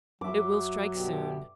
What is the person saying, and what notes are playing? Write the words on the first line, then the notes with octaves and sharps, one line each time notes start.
It will strike soon.
F#2 F#3 E5 D6
B2 D3 G4